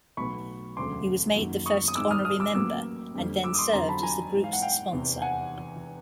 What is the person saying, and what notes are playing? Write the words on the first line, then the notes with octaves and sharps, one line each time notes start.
He was made the first honorary member and then served as the group's sponsor.
B1 A2 F#3 B3 B5 C#6
E1 D2 C#3 F#3 A3 C6 D6
F#2 D#3 F#3 A#3
C#6 D#6
D#6
G#2 D#3 G#3 C4 D6 E6
D#6 F6
D#6 F6
D6 E6
A1 A2 F#3 A#3 D6 E6
F2 D3 G3 A#3
D6 E6
D#6
C6 D6
F2 D3 F#3 A#5 C6
A5 B5
G#5 A#5
G#2 E3 G#3
F5
F#5
F5 G5
F1 E2 C3
F#5 G#5